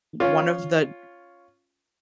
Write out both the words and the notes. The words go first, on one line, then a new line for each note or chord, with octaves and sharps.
one of the
C#4 F4